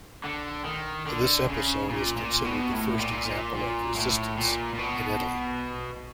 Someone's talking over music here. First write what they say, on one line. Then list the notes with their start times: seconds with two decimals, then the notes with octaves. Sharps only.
This episode is considered the first example of Resistance in Italy.
0.24 D3
0.65 D#3
1.07 D3
1.48 C#3
1.89 A#2
2.17 A#2
2.45 B2
2.72 A2
2.99 A#2
3.27 A#2
3.55 A#2
3.95 A2
4.37 A#2
4.74 A#2
4.78 B2